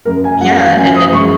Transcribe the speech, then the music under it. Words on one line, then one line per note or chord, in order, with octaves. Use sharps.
yeah, and then
F#2 A#4
G#5
F#3 F#5
F5
F#2 G#5
D#6
G#3 C#6